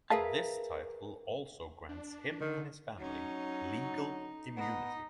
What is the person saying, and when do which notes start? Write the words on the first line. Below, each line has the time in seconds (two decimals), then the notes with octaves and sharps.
This title also grants him and his family Legal immunity.
0.10 G#4 A#4 B4 E5 F5 A5
1.89 D4
2.41 D3 D#3
3.00 F#3 C#4 D#4
4.57 B3 D#4